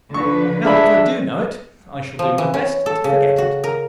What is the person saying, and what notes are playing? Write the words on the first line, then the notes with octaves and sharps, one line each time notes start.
"Now that I do know it I shall do my best to forget it."
D3 F3 B4 C#6
G#3 D4 E5 B5
F3
E3
C#4
A4
C#3
F#4
A#4